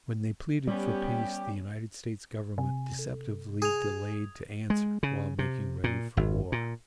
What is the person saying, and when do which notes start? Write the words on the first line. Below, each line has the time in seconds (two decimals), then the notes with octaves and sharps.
When they pleaded for peace, the United States Government deceptively delayed to answer, while making ready for war.
0.67 G3 B3 C#4 G4
2.58 C3 G#5
2.99 A4
3.62 G#4 D#6 G#6 F7
4.70 G#3
5.03 C#3
5.39 C3
5.84 A#2
6.17 G#1
6.52 A#2